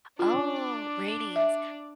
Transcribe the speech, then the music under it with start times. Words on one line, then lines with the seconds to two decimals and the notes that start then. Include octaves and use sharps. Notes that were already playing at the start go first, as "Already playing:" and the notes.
Oh, ratings.
0.19 D4 F4 D5
1.36 E5